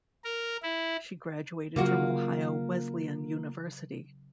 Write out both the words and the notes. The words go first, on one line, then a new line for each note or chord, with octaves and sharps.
She graduated from Ohio Wesleyan University.
A#4
E4
C#3 F#3 A#3 F4 F#4